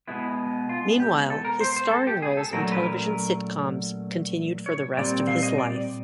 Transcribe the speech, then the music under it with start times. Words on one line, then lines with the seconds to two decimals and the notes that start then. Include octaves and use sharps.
Meanwhile, his starring roles in television sitcoms continued for the rest of his life.
0.07 B2 G#3 B3 E4
0.69 F4
1.00 G4
1.30 A4
1.45 A#4
1.61 C5
1.76 C5
1.91 A4
2.07 G4
2.22 G#4
2.37 A4
2.52 A#2 F#3 A3 C#4 A#4
2.72 B4
2.83 A#4
4.66 C#5
4.97 A#2 G3 C4 D5
5.27 F5
5.43 D#5
5.58 D5